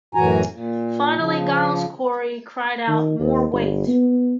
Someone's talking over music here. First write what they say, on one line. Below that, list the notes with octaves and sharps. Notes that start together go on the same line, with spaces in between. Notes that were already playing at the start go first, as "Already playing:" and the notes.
Finally, Giles Corey cried out More weight!
F#2 A2 E3 F#4 G#5 A#5
A#2
C#3 F3
D#3
D#2
G1
B3